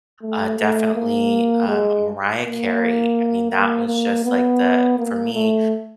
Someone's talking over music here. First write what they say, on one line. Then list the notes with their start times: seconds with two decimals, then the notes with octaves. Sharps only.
uh, definitely, um, Mariah Carey. I mean, that was just like the for me,
0.22 A3
0.59 A3
0.95 A#3
1.68 G#3
2.41 A#3
3.51 A#3
3.87 A#3
4.25 B3
4.98 A#3
5.34 A3